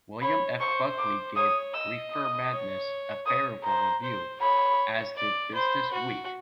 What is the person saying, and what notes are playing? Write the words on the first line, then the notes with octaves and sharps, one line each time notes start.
William F. Buckley gave "Reefer Madness" a favorable review, as did "BusinessWeek".
C#5 B5
C5 C#6
D6
C#5 D#6
D#5 E6
D#6
C#5
C#5 D#6
C5 A#5
C5
C#5 B5
D5
C5 B5
F#4